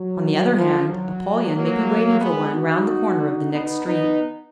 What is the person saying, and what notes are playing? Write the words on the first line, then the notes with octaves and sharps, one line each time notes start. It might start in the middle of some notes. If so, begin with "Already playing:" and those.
On the other hand, Apollyon may be waiting for one round the corner of the next street.
Already playing: F#3
F3
F#3
F#3 A#3
G#3 B3
D#4 F#4
B3 D#4
B3 D#4